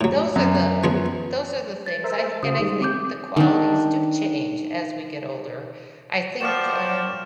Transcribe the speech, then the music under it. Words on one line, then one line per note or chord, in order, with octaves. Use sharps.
those are the those are the things, I and I think the qualities do change as we get older, I think, um,
A2 F#3
F#2
F3 B3 G#4
A6
A#4 C5 E5
A5
C#3 F#4 C5 D#6
D#3 G3 G#3
C4 D6 G6
D#3 D4
F3 F#4 D5 G5 F6 E7